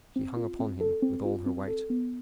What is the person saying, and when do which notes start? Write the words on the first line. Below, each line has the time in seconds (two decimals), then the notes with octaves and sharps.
She hung upon him with all her weight.
0.16 C4
0.37 F4
0.59 C4
0.81 A4
1.02 C4
1.25 F4
1.46 C4
1.68 A4
1.90 B3